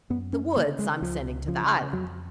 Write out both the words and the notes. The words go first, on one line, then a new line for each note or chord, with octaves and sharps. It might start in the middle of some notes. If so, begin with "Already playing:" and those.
The Woods I'm sending to the Island.
F#2 B3
C#4
C#3 A#3
G#3
C#2 F3
C#3 F3
F2 F#3